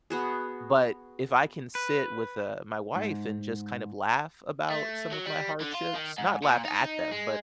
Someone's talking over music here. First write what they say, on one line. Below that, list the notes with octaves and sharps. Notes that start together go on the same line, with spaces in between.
But if I can sit with, uh, my wife and just kind of laugh about some of my hardships, not laugh at them but
B3 F#4 G#4
B4
G#2
A3
F#3
G3
D3
F4
D#3
G#2
A#2
D#4
G#3